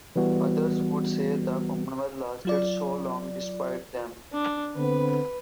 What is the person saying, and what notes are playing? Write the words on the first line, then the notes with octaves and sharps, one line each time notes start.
Others would say the Commonwealth lasted so long "despite" them.
E3 G3 B3 F#4
F#3 F4 D5
D4
D3 B3 C4 B4